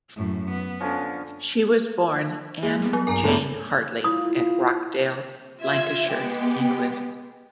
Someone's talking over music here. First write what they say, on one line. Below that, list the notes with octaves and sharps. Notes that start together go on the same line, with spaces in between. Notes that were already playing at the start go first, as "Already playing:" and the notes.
She was born Anne Jane Hartley at Rochdale, Lancashire, England.
F#2 A2
B3
D3 F3 C#4
G#3 A#3
G3 B3
F#3
A#1 G2 A#4 G#5 A#5
E2 A2 A4
E4 F4 D#6
F4 E5 G#6
G#3 B3 G4